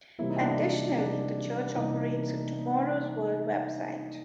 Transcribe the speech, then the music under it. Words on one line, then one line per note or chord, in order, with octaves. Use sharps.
Additionally, the church operates a "Tomorrow's World" website.
C3 E3 G3 A#3 E4
D#4
D4
D#4
D#4
C3 E3 G3 A#3 D4
C3 E3 G3 A#3 D#4